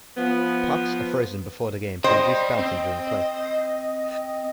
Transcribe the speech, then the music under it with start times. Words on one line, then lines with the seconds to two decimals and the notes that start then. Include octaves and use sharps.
Pucks are frozen before the game to reduce bouncing during play.
0.17 F3 B3
2.04 C5 D5 D#5 G5
2.59 C4